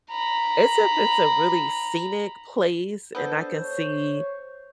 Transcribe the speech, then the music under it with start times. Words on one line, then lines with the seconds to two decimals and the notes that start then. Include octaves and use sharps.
it's if it's a really scenic place and I can see
0.11 A#5 B5
3.15 B3 D4 A4 C5
3.62 C#5